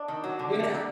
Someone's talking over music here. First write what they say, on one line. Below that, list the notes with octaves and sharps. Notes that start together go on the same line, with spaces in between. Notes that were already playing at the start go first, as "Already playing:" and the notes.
you know?
Already playing: D4
D#3
F#3
D3
D3
G3